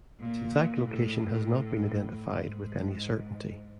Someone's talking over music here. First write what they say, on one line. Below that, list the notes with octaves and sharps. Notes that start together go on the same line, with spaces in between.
Its exact location has not been identified with any certainty.
A#2
A2
G#2